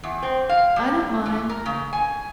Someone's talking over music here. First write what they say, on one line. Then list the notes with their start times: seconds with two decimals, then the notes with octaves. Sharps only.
"I don't mind."
0.04 E2
0.23 C4
0.49 F5
0.76 G3
1.26 E3
1.49 A#4
1.66 C#3
1.93 G#5